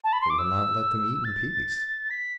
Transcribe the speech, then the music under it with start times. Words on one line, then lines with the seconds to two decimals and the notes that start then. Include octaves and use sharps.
It will not let them eat in peace.
0.04 A5
0.13 B5
0.21 C6
0.30 D6
0.39 E6
1.25 A6
2.11 B6